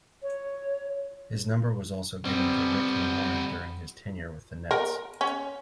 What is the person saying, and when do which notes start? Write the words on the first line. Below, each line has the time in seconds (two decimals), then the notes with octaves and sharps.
His number was also given to Rick Mahorn during his tenure with the Nets.
0.23 C#5
2.26 G3 B3 C4
4.71 A#4
5.21 C#4